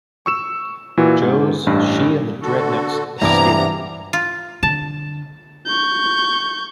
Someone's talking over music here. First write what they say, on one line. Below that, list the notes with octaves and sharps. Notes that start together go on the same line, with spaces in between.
Joes, she and the Dreadnoks escape.
C#6 E6 E7
A#2 E3 F#4
G#2
A1 G2
D3 F#4 A4
C2 G2 C3 E3 B3 E4 A#5 D6
F4
D3 A5
C#6 G6